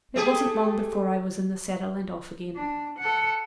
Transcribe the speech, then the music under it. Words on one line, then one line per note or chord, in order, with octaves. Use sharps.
It wasn't long before I was in the saddle and off again.
A3 G4 G#4
D4
A4 F#5